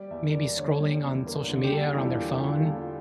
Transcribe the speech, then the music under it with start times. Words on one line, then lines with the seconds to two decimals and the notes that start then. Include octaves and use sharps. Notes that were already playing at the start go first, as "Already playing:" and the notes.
maybe scrolling on social media or on their phone?
Already playing: G3 D5
0.11 E2 E5
0.33 A#3 D5
0.57 D3 C#5
0.80 G3
1.02 E2
1.26 A#3
1.49 D3
1.64 G4
1.72 G3 A4
1.94 E2 E4
2.02 F4
2.18 A#3
2.34 G4
2.41 D3 F4
2.54 G4
2.64 G3 A4
2.78 F4